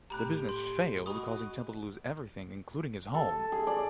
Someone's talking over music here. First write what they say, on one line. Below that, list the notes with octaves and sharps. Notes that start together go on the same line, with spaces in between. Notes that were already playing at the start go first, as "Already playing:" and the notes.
The business failed causing Temple to lose everything, including his home.
A2 G4 A#5 B5 F#6
C6
F#4 G#4 D#5 B5 C#6 D#6
A4
G#4
D5